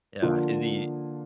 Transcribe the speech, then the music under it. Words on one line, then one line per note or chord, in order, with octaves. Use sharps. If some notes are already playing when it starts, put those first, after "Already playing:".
Yeah. Is he
D3 F3 A#3 F4